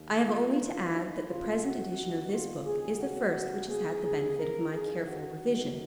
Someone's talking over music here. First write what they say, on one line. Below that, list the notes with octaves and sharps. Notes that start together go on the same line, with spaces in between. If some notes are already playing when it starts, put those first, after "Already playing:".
I have only to add, that the present edition of this book is the first which has had the benefit of my careful revision.
Already playing: D#2 D#3
F4
D#2 D#3 F4
D#4
D#2 C#3 F4
F#4
D#2 D#3
F4
D#2 C#3 G#4
F#4
F2 C#3
G#4
D#2 C#3 G#4
A#4
F2 D#3 G#4
F#4
F#2 D#3